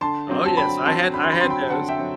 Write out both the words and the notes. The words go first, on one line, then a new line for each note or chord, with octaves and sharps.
Oh, yes, I had I had those.
D3 A5 C6
F#3 C4
A5
D3 G5 B5
F#3 C4 A5 C6
D3 B5
C6
B5
F#3 C4 C6
G5 B5
D3 F#5 A5
E5 G5
F#3 C4